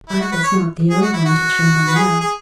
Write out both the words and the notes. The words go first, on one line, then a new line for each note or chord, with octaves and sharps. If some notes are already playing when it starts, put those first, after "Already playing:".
I was not the only one to tremble now.
E4
F#4
B4
C#5
G#4
F#4
E4
F#4
B4
G#4
G#4